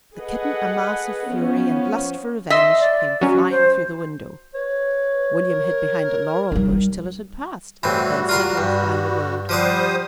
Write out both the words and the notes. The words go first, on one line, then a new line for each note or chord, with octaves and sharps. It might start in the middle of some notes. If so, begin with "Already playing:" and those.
The kitten, a mass of fury and lust for revenge, came flying through the window. William hid behind a laurel bush till it had passed, then set off down the road.
G#4 A4 B4 D#5 F#5
F3 B3 C#4
D#5 E5 C6
D5
F#3 C#4 F#4
C5
B4 C#5
A#4
G3 D#4
A2 E3 G3 C4 F#4
F4 A#4 C6
G2
F3 G3 C5 D5 F#5 D#6